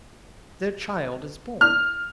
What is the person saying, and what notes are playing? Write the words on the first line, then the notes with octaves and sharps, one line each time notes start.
Their child is born.
F6